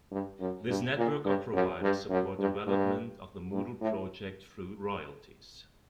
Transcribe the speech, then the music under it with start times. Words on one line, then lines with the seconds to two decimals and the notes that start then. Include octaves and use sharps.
This network of providers support development of the Moodle project through royalties.
0.12 G2
0.40 F#2
0.69 G2
0.97 A#2
1.25 G2
1.53 F#2
1.82 G2
2.10 F#2
2.39 G2
2.67 G2
3.52 G2
3.81 A2